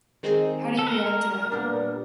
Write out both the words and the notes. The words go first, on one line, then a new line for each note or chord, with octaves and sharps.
How do you react to that?
D#3 G#3 C4 D#4 G#4
A4
A#4
A#2 G3 B3 D4